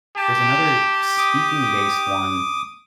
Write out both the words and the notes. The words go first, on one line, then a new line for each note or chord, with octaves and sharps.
There's another speaking-based one,
G4 A5
D6 D#6